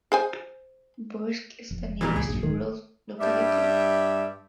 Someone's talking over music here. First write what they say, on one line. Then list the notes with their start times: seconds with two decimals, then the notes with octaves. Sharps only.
Birsk is the nearest rural locality.
0.12 G#4 C5 G#5
1.71 F1
2.01 G2 A#2 E3
2.16 C#2 G#4
2.29 A#1 F#2
2.42 D1 A1 D#3
3.19 G2 G3 E5